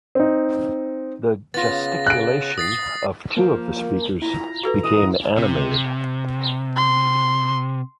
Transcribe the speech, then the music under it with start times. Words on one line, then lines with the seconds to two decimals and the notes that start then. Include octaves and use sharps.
The gesticulation of two of the speakers became animated.
0.15 C4 D#4
1.54 C#3 B3 F4 A6 A#6
2.07 F#6 D7
2.58 D#6 A6 C7
3.36 F3 A#3
4.21 E4 F4 A#5
4.63 F#4 A4 B4
4.84 E3 D#6
5.37 C3
6.76 C6